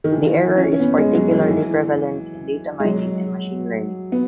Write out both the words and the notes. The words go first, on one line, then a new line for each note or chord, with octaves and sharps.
The error is particularly prevalent in data mining and machine learning.
D#3
E3
E3
C#4
C#4
B3
G#3
F#3
E3
E3
G#3
F#3
B3